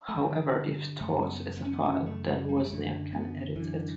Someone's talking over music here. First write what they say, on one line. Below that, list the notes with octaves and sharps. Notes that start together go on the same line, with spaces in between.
However, if 'thoughts' is a file, then 'wozniak' can edit it.
A3
G2 D3 G3
F#2 C#3 A3
C#4
B3
B3
C#4
B3
F#2 C#3 C#4
A3
G3
G3
A3
G3
F#2 D3 A3
B3
F#2 D3 E3